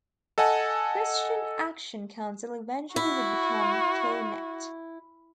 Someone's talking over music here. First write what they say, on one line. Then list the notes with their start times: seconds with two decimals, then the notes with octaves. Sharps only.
Christian Action Council eventually would become Care Net.
0.38 A4 D#5 F#5 G#5 A5
2.96 E4 F#4